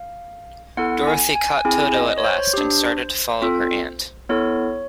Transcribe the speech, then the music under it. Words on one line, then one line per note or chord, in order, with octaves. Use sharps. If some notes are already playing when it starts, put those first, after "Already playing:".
Dorothy caught Toto at last, and started to follow her aunt.
Already playing: F5
B3 E4 A4 F#5
G#5
G#5
C4 E4 G#4 G#5
D#5
C#5
C5
D4 G4
C4 F4 A4
B3 E4 A4 C#5